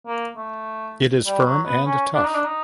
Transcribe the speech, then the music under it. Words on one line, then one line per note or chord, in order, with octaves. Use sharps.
It is firm and tough.
A#3
A3
G3
F#3
B3
C#4
D4
D#4
D4
D#4